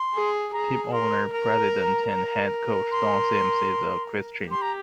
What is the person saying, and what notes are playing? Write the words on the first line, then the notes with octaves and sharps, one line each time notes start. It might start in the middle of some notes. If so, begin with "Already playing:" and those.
Team owner, president and head coach Don Sims is a Christian.
Already playing: C6
G#4
G#4 A#5
A#4 C6
A#4 A#5
A#4
C6
G4 C6
A#5